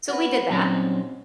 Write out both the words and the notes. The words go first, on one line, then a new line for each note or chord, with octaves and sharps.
So, we did that
F#4 B4
A#2 F#3 G3 C4 C#4 D#4